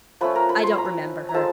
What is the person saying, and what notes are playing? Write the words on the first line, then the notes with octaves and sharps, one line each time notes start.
I don't remember her.
F3 A3 C#4 B4 B5
A#4 A#5
B4 B5
C6
B5
A#5
B4 B5
A#5
F3 G#3 A4 A5